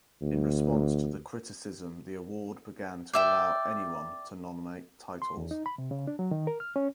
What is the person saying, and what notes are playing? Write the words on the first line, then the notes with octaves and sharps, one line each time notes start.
In response to the criticism the award began to allow anyone to nominate titles.
D2
D5 E5 G5
C6
E2
D#4
B5
C3
C#3
D4
F#3
D#3
A#4
F6
C#4